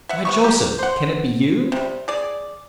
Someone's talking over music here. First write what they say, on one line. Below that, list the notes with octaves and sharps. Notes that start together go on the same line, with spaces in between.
"Why, Joseph! can it be you?"
E5 F#5
C3 B3 C#6
A#3 G4
C5 F#5
C3 G3
G#4 D5